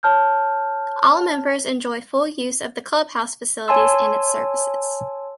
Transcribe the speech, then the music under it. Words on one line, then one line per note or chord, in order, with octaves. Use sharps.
All members enjoy full use of the clubhouse facilities and its services.
C#5 A5 F6 G6
C#5 G#5 A5 C6 E6